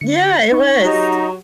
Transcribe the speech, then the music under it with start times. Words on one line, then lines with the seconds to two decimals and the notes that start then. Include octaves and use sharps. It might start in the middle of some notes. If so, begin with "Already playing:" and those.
Yeah, it was.
0.01 D3 C#7
0.52 D#4 C#6
0.82 F#3 D#4 G4 F#5 A#5